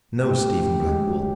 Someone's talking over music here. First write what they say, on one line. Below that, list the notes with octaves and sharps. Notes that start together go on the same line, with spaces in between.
No Stephen Blackpool.
A3 G4
G#3
F#3